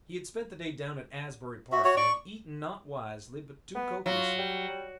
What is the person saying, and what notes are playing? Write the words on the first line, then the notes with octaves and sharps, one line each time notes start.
He had spent the day down at Asbury Park and had eaten not wisely but too copiously.
F#4 E5
F#4 C#5
D5 C#6
B3
F#3 F4
G3